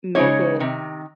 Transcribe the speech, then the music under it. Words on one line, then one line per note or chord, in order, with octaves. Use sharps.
make it
C#3 G#3 D#4 C#5
C3 D#3